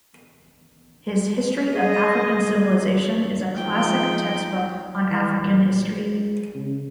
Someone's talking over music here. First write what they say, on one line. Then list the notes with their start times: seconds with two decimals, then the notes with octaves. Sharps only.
His "History of African Civilization" is a classic textbook on African history.
1.73 G#4 D#5
3.56 F3 G#3 D#4 G5
5.10 E3
5.40 A#1
5.91 G#3
6.55 C#3